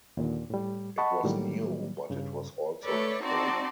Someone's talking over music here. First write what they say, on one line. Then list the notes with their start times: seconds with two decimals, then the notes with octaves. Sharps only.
It was new, but it was also decaying.
0.17 D#2 A#2 D3
0.50 A2 G3
0.98 D#5 F#5 A5 B5 C#6
1.24 A2 D3 D#3 F#3 G3 A#3
2.10 G2 C#3
2.83 A3 A4 B4 C#5 D5
3.23 C4 D#4 F#4 D5 A5 C6